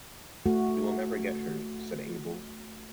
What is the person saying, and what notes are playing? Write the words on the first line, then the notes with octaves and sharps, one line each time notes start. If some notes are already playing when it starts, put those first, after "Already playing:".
"You will never get her," said Abel.
A3 F#4